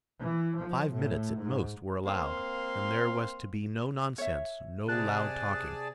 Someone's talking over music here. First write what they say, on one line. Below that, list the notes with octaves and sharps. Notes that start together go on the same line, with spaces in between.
Five minutes at most were allowed, and there was to be no nonsense, no loud talking.
E3
F3
A2
G#2
A#3 C4 F5 C6
C#5 E5
C3 G#4 D5 A5 F#6